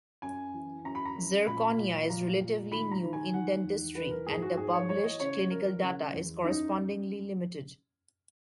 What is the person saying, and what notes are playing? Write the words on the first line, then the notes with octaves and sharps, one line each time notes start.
Zirconia is relatively new in dentistry and the published clinical data is correspondingly limited.
F#2 G#5
E3
F#2 A#5
B5
A#5
F#2
A#2 B5
A#2
A#2 A#5
A#2
D#3 B5
A#5
D#3
G#5
D#3 F#5
E2
E3 B4
A#4
G#2 G#4
F#4
G#2 G#4
C#5
E3 C#5
D#5
C#3 C#5
E3 A#4
C#3
E2
F#2 D#4